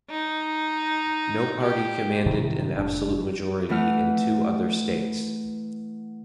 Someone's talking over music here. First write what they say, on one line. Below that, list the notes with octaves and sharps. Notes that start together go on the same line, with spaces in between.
No party commanded an absolute majority in two other states.
D#4
G4
A2 C3 D#3 E3
F1 A2 D4
E3 A3 F#5 F6 F#6